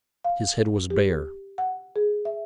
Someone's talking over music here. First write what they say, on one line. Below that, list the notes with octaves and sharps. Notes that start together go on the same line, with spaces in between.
His head was bare.
F5
G4
F#5
G#4
E5